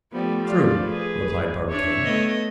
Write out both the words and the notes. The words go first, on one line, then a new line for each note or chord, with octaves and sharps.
"True," replied Barbicane.
F3 G3 A3 B3
F4 D5
G#4 B4
D4 C#5 E5
A3 B3 D#5